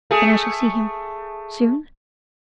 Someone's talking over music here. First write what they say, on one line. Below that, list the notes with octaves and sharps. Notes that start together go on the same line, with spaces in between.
"Then I shall see him ... soon?"
A3 G#4